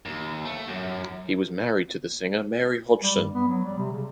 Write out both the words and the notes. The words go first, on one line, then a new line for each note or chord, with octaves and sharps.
He was married to the singer Mary Hodgson.
D#2
A3
F#2
G3
G2
B3
F#3
G3
C3
C#3